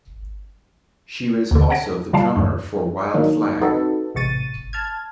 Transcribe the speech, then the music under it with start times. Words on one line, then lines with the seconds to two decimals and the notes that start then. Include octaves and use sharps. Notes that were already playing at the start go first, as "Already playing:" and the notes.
She was also the drummer for Wild Flag.
1.51 D#2 D3
1.70 F#5 A5 G#6 A#6 D7
2.13 C#3 G3 F4 F5 A5 C7
2.36 E2 G2 A3
3.14 D#3 F#3 A#3 D4 D#4
3.61 C4 D#4 F#4 A4 B4
4.14 A1 G#2 C3 C#6 A6 D#7
4.73 A5 F6 G#6